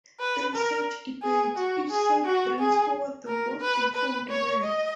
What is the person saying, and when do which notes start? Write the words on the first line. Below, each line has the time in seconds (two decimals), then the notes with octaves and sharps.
In such debates, each side brings forward the most informed men.
0.20 B4
0.54 A#4
1.23 G#4
1.57 F#4
1.91 G#4
2.25 F#4
2.59 G#4
3.28 A#4
3.61 B4
3.95 B4
4.29 C#5
4.63 D#5